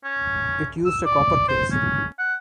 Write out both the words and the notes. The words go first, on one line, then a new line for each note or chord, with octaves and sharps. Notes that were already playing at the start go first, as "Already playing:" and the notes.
It used a copper case.
C#4
E6
D5
C5
C#4
F#5